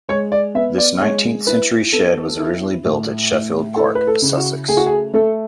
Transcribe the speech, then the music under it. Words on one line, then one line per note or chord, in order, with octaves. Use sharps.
This nineteenth-century shed was originally built at Sheffield Park, Sussex.
G#3 C#5
D5
B3 E5
D5
G#3 C#5
E4 B4
B3 A4
E4
A2
A2
E4 A4
B4
A4
C#3
F#4
A3 G#4
F#4
G#4
A3 A4